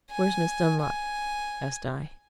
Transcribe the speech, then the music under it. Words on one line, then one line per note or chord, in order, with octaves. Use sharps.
"Where's Miss Dunlop?" asked I.
G#5
G#5